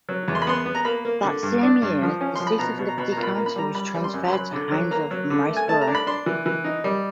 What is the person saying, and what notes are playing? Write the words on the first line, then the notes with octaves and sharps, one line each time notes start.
That same year, the seat of Liberty County was transferred to Hinesville from Riceboro.
F#3
E2
C6
B5
B3 C6
B3
A#5
A#3 B5
A#3
D3
G2
D4
G2
F3
C#4
F3 C6
B5
B2 A#5
B2
A#5
B2 B5
A#5
A#2
B5
A#3 A#5
B5
G3 A#5
G3 B5
G3
C6
F#2
C6
F#3 B5
D3
F#3
A#3 A#5
F#3
D3
A3
G#5
A3 A5
A#5
D4
B5
D4 C6
E3
E3
D#4
G3